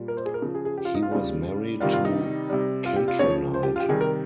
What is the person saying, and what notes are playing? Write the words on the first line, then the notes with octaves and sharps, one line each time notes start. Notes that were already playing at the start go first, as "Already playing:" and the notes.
He was married to Katranide.
Already playing: A#2 G3
A#4
C5
G#4
A#4
C#3 F3
G#4
G#4
G4
F4
D#4
F4
C#3 G3
C3 D#3 G3 F4
F4
D#4
C3 G3
F4
G4
F4
C#3 F3 C#5
C5
G4
F4
G4
C3 D#3 G3 G#4
A#4